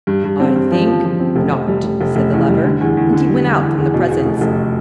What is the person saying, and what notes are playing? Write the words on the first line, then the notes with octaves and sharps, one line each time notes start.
"I think not," said the Lover--and he went out from the presence.
G2
G2
C4
G2
F3
F3
F3
C4
F1
F1
G3
F1
F1
F1
E2
G3
D3
E2
E2
D3
G3
G3
E2
E2
B2
E2
F1
F1